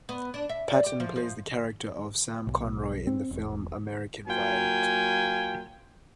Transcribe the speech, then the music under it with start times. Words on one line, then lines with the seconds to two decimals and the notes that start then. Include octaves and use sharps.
Patton plays the character of Sam Conroy in the film "American Violet".
0.09 B3
0.34 D4
0.49 E5
0.68 D5
0.86 G4
1.00 F3
1.16 F3
2.47 B1
3.07 C4
3.31 E1
4.27 F#3 A#3 F4 G5 G#5